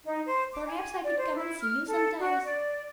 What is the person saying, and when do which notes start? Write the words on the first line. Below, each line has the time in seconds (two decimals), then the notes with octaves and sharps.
Perhaps I could come and see you sometimes.'
0.05 D#4
0.26 C5
0.53 D6
0.67 G#5
1.03 D5
1.17 C5
1.36 E4
1.60 F6
1.87 A4
2.20 F#4
2.45 D5